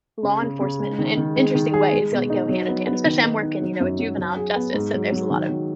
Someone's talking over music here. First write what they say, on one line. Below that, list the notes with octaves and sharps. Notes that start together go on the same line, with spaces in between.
law enforcement in in interesting ways, like, go hand in hand, especially I'm working, you know, a juvenile justice, so there's a lot of,
C#3
C#3
C#3
G#3
D#3
D#3
G#3
D#3
G#4
G#3
B2
D#4
F#3
B3
B3
D#3
D#4
D#4
F#3
F#2
F#3
F#3
G#4
B3
G#2
F#3
F#3
D#3
F#3